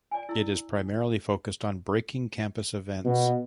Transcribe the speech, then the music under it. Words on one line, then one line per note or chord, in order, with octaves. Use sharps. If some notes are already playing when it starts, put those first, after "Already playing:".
It is primarily focused on breaking campus events.
D5 G#5
E4 E6
B2